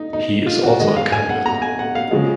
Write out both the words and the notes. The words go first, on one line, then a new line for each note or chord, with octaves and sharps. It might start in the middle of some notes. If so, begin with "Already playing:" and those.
He is also a Cardinal.
Already playing: D#4
D#4
F4
F#4
D#3 G#3 D#5
F5
G#5
F#5
A#5
G#5
F#5
F5
C#3 F3 G#3